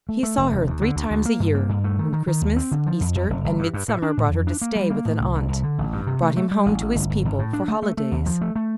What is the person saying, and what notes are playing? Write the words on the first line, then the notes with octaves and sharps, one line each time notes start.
He saw her three times a year, when Christmas, Easter, and Midsummer brought her to stay with an aunt, brought him home to his people for holidays.
A3
A3
F1
D#2
D#2
D3
D2
D2
A#3
G2
A#3
G2
A3
D#3
D#3
D#3
D#2
C4
D3
F3
F2
F2
F1
G1
G2
G2
A2
D4
A2
F2
D4
A#3
G3
A#3
A2
C2
C2
C2
D3
A1
G2
C3
A3
A3
G3
A1
A1
G1
G1
G1
A2
D4
A3
A3
A3
D#2
F3
A3
A3